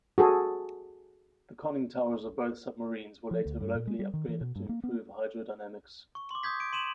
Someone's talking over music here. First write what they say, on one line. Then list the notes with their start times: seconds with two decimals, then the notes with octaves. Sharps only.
The conning towers of both submarines were later locally upgraded to improve hydrodynamics.
0.18 F#4 G#4 A4
3.31 F3
3.46 D2
3.60 G2
3.75 A#2
3.87 G#3
3.99 G3
4.14 D#3
4.28 E3
4.41 B2
4.56 G2
4.69 A#3
4.84 B3
6.15 C#6
6.31 C6 D6
6.43 C6 D#6 G6 G#6 B6
6.60 D7
6.73 C6 D#7 E7 F#7